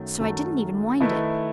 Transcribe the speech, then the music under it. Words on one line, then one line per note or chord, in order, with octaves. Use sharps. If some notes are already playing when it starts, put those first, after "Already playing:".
So I didn't even wind it.
Already playing: F#2 D#3 F#3 A3
F#2 D#3 F#3 A3
D#3 A3 E4 B4 D#5